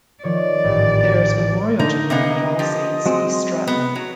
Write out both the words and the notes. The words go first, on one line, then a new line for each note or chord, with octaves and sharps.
There is a memorial to him at All Saints, East Stratton.
D#3 F3 C#5 D5
A1 G#2 G4
D3 D#4
C3 A#3 B3 D#5
F3 G4
F#3 G#3 C4
B3
F#3